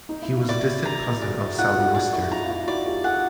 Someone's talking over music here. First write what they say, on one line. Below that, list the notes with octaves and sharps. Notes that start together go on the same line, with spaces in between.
He was a distant cousin of Sally Wister.
D#4
E4
F4
E4 F#4 D5
A#5
F#4 G#4 D5
E4 F#4
D#4 F4 F#5
F#4
F4 G4
G4
F#4 G#4 D5
E4 F#4
D#4 F4 A#5
F4
E4 F#4
E4 F#4 D5
F4 G4
F#4 G#4 F#5